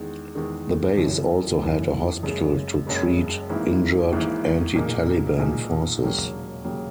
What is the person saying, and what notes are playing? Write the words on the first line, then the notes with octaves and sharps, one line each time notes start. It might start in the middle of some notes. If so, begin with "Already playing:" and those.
The base also had a hospital to treat injured anti-Taliban forces.
Already playing: E2 D#3 G#3
E2 D#3 G#3
F#1 F#2 E3
F#1 F#2 E3
F#1 F#2 C#3 G#3
F#1 F#2 C#3 G#3
G#1 G#2 E3 A#3 E4
G#1 G#2 E3 A#3 E4
B1 A#2 A#3 D#4 G#4
B1 A#2 A#3 D#4 G#4
E1 D#2 C#3 F#3 A#3
D#2 C#3 F#3 A#3